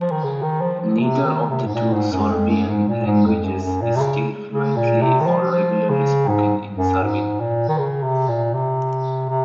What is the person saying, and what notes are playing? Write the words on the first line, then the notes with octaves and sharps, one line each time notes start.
Neither of the two Sorbian languages is still fluently or regularly spoken in Serbin.
F3
D#3
C#3
D#3
F3
F3
C3
D#3
C3
G#2
A#2
G#2
F#2
F2
F#2
G#2
A#2
G#2
F2
F#2
F#2
A#2
C3
C#3
C#3
A#2
C3
D#3
F3
F3
C#3
G#2
F#2
G#2
A#2
D#3
C#3
C3
A#2
C3
C3